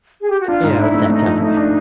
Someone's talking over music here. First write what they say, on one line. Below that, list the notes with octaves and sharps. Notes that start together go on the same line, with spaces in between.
you know, at that time,
G#4
G4
F#4
D4 F4
G#2
F4
D4 E4
A3
A3 D#4
F3
E4
A3 D#4
D4